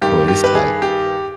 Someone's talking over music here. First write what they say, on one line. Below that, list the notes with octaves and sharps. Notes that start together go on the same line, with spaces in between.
but it's, like
G2 D#3 G4
G4
B4
G#4
G4